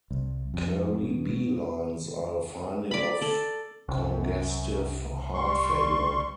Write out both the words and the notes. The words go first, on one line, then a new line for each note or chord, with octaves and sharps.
Kerley B lines are a finding of congestive heart failure.
C2
F2
B2
B2
D5 B5
A4 D5
C2 F#2
G3 C6 C#6